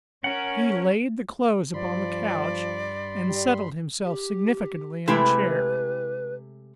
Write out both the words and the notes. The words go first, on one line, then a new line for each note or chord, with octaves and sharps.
He laid the clothes upon the couch--and settled himself significantly in a chair.
C#4 A#4 F#5
G2 F3 D5 B5 C6
G3
G4
C3 G#3 A3 E4 G4 B4 E5